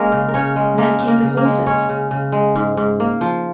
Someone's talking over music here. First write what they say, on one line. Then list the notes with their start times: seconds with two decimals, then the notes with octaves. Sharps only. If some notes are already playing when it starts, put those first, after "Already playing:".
Then came the horses.
Already playing: G#3 A#3 C#4 A#4
0.12 C#3
0.29 A#4
0.34 C#3 C#4 C#5
0.56 G#3
0.78 G#3 A#3 A#4
1.00 C#3
1.07 A#3 A#4
1.23 C#3
1.37 A#3 A#4
1.45 G#3
1.66 G#3 C#4 C#5
1.89 C#3
2.11 C#3
2.32 G#3
2.56 G#2
2.77 G#2
3.00 A#3
3.21 F3